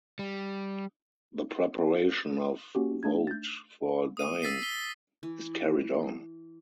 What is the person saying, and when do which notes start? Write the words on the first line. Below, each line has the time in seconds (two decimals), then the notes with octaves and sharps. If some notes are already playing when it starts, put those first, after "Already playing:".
The preparation of woad for dyeing is carried on.
0.19 G3
2.75 A#3 C#4 F#4 G4
3.03 A3 D4 D#4 G#6
3.27 G6 A6
4.17 D#6 D#7
4.42 E6 A6 B6 C7 D#7
4.62 B6 G7
5.23 E3